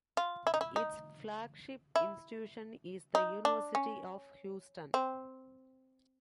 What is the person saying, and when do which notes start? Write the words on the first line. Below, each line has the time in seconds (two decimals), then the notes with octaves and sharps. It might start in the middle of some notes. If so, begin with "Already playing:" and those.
Its flagship institution is the University of Houston.
0.17 F4
0.47 E4
0.54 D#4
0.61 E4
0.76 D#4
1.96 E4
3.15 D#4
3.45 D4
3.75 C#4
4.94 C4